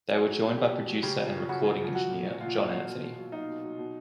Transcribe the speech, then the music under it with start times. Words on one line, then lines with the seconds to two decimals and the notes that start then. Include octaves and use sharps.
They were joined by producer and recording engineer John Anthony.
0.12 F#3 G#4
0.27 F#3
0.43 B2
0.58 B2 G4
0.73 B2
0.88 F#3
1.03 C#3 G4
1.19 F3
1.34 F3
1.49 C#3 F#4
1.64 C#3
1.80 F3
1.95 F#3 F#4
2.10 A#2
2.26 A#2
2.41 A#2 F4
2.56 F#3
2.72 F#3
2.87 B2
3.03 B2
3.18 F#3
3.32 F#3 D#4
3.48 B2
3.63 F#3
3.78 B2